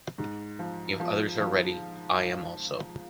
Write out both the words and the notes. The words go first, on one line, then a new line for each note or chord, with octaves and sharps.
If others are ready, I am also.
G#2
F3
F3
F3